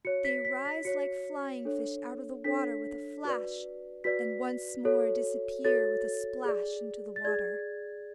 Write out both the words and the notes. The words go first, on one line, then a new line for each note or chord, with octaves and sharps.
They rise like flying-fish out of the water with a flash, and once more disappear with a splash into the water.
F#4 C#5 C#7
B6
B6
B6
F#4 C#5 C#7
D4 A4 C#5
D4 A4 C#5 B6
F#4 B4 D5
F#4 B4 D5 B6
F#4 A4 C#5
F#4 A4 C#5 A6
G#4 D5
A6
G#4 D5 G#6